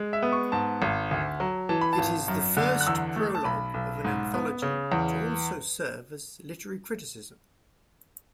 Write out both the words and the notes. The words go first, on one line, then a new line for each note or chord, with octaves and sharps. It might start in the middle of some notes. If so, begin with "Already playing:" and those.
It is the first prologue of an anthology to also serve as literary criticism.
Already playing: G#3
E5
B3
C#6
G#2 A5
G#1
D2
F#3
E3 A5
B5
A5
G#1
F#2
D3
F#6
E2 E6
A3
A5
B1 B5
B1
G#2
B3
C#3
E2